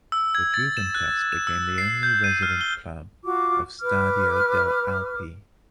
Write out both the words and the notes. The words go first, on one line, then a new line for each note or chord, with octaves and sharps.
The Juventus became the only resident club of Stadio delle Alpi.
E6
G#6
A6
E7
F#6
E7
E6
C7
G6
D#7
F6
G7
F4 F#4 D6
B4 D6 F6